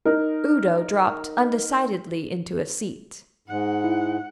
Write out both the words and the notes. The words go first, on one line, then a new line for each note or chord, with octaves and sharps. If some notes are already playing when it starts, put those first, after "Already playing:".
Udo dropped undecidedly into a seat.
D#4 A#4
G#2 F#5
E4